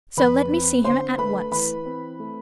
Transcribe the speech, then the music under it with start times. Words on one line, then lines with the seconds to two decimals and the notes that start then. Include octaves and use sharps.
So let me see him at once.'
0.17 F2 B4 B5
0.51 C4
0.84 D3 C5 C6
1.18 A3 B4 B5
1.51 E3 B4 B5
1.85 C4
2.19 A3